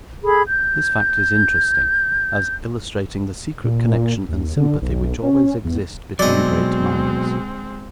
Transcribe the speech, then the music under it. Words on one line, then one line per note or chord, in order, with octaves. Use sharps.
This fact is interesting, as illustrating the secret connection and sympathy which always exist between great minds.
G#4 A4 B5
G6
A#2
D#2
D3
B1
C#4
E2
B2 F#3 G#3 C4 D5 D#5